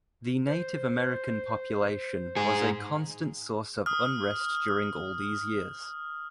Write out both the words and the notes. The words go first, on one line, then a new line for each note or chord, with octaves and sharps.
The Native American population was a constant source of unrest during all these years.
C5
G#2 G#4
D#6 F6